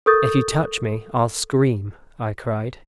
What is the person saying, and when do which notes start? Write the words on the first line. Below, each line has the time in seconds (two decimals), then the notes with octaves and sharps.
"If you touch me, I'll scream," I cried.
0.06 A4 A#4 C#6 D#6 G6 A6